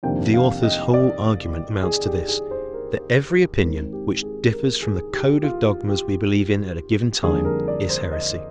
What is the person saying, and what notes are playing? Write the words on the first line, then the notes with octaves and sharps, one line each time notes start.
The author's whole argument amounts to this: that every opinion which differs from the code of dogmas we believe in at a given time, is heresy.
F2 C3 D#3 A#3 D4 G5
F5
D#5
D5
G#4
G4
G#4
C5
A#4
G#2 D#3 G#3 C4 D#4 A#4
G4
G#4
A#4
G#4
G4
F4
G4
F2 D3 G3 A#3 D4 G#4
A#4
D5
C5
D#5